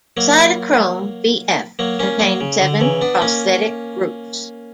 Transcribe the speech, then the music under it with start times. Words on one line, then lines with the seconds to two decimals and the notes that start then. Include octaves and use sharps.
Cytochrome bf contains seven prosthetic groups.
0.17 F#3 A#3
1.79 F#3 A#3
1.99 A#3 C#4
2.20 F#3 A#3
2.40 C#3
2.61 D3
2.81 C#3 E3
3.01 B3 D4
3.22 A#3 C#4